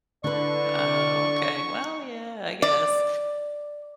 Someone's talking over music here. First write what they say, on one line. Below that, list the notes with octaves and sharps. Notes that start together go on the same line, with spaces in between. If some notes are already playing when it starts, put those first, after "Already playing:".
Ah, okay. Well, yeah, I guess.
D3 D4 E4 B4 D5 C#6
D5